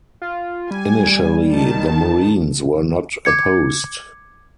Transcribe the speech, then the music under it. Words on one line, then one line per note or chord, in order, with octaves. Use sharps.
Initially, the Marines were not opposed.
F4
G3 G#5
D#3 A5
D6 G#6 C#7